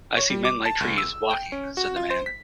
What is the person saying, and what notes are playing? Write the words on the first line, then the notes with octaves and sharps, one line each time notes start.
"I see men like trees, walking," said the man.
C#5
G3
D6
A5
C#2
E6
G5
C#4
F#4
F4
C5
B6